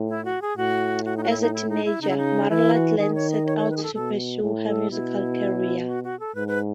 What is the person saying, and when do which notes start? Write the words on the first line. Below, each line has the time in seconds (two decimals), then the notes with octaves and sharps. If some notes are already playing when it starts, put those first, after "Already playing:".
As a teenager, Marla Glen set out to pursue her musical career.
Already playing: A2
0.09 E4
0.25 F#4
0.42 G#4
0.57 A2 F#4
1.05 F#4
1.17 D#4
1.23 F#4
1.30 E4
1.41 D#4
1.54 E4
1.69 D#4
1.85 E4
2.02 C#3 D#4
2.09 E4
2.17 D#4
2.50 E3 E4
2.74 F#4
2.98 D#3 G#4
3.15 C#5
3.31 D#5
3.46 C#5
3.58 C#5
3.71 B4
3.77 G#4
3.83 A4
3.95 B2 A4
4.42 A2
4.67 A4
4.91 B2 E4
5.87 F#4
6.04 F#4
6.20 A4
6.35 G#2 B4
6.48 B4